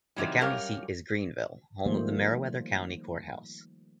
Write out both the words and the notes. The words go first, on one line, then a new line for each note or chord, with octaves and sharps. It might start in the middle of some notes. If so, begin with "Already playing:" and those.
The county seat is Greenville, home of the Meriwether County Courthouse.
C3 D#3 E3 F#3 G3
F#2 G3 G4 A#4 C#5 F5
D#3 F3 G3 A3 A#3 C5